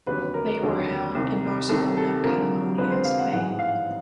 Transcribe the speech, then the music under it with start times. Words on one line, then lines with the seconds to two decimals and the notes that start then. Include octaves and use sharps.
They were held in Barcelona, Catalonia, Spain.
0.07 F1 D#2 D3 F#3 B4
0.34 A#4
0.61 F1 D#2 D3 F#3
1.15 C2 C3 D#3
1.69 C2 C3 D#3 A4
1.97 A4
2.23 F2 D3 F3 G#3 A#4
2.78 F2 D3 F3 G#3 B4
2.91 C5
3.04 F5
3.19 F#5
3.32 A1 G#2 E3 G#3 F#5
3.59 F5